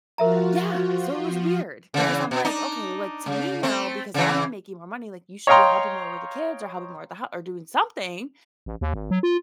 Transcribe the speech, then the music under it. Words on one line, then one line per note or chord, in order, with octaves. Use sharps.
Yeah, so it was weird because I'm, like, "Okay" like, to me, now because I'm making more money, like, "you should be helping more with the kids or helping more with the hou or doing something,
F3 F4 F#4 A#4 E5 A#5
C#3 E3
B2
D4 D#4
C#3
A3 C4
C#3 E3
C#5 D#5 F5 G5 A#5 C6
A1
D#2
G#1
F#3
F4